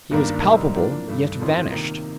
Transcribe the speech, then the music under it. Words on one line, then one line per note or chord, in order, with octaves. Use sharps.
He was palpable, yet vanished.
G1 G2 D#3 A#3 D4
C3 G3 C4 D#4 A#4
A2 F3 A#3 D4
G2 D#3 A3
A1 A2 A3 C4 F4
C3 D#3 A#3